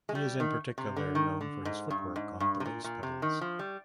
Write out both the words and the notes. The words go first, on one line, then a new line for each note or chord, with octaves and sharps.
He is in particular known for his footwork on the bass pedals.
G#3
G3
D#3
C3
D3
D#3
D3
G#2
G2
G#2
G2
C3
A#2
A#2
C3
D#3
F3
G3